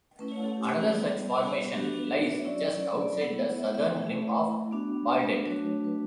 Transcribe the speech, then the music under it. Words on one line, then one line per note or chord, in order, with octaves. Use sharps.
Another such formation lies just outside the southern rim of Baldet.
A3 C#4 E4 B4
C#5
A4
G4
G3 B3 E4
B3 D4 F#4 G4
A4
B4
B4
E5
C#5
F#3 C#4 E4 D5
D5
C#5
D5
B3 E4 F#5
E5
F#5
E5
A3 E4 E5
B3 D4 F#4
B4
F#3 A3 D4 F#4 C#5
B4